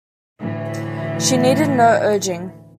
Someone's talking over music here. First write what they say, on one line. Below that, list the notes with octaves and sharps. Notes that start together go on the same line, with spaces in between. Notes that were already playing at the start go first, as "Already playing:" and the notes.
She needed no urging.
D2 A2 E3